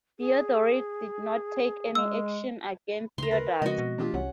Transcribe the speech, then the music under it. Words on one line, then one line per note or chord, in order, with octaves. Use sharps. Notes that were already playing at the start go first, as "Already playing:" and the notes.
Theodoric did not take any action against Theudis.
G#4
G#3 E6
D2 C#3 A#5 C6
A#4 B4
C#3 F3 G#3 C4 F#4 D#5
B2
E3 A3 D4 F4 G4
C2 C#4 F#5